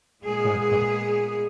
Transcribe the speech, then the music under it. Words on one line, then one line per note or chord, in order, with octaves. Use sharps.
Alright, bye-bye.
A#2 G#3 B3 G#4